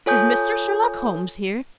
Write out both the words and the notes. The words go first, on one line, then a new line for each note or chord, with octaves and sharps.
"Is Mr. Sherlock Holmes here?"
F4 A4 C#5 G#5 D#6 G6